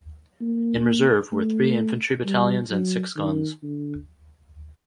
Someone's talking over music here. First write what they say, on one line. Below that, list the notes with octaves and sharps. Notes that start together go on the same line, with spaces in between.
In reserve were three infantry battalions and six guns.
A#3
A3
G3
F#3
D#3
D3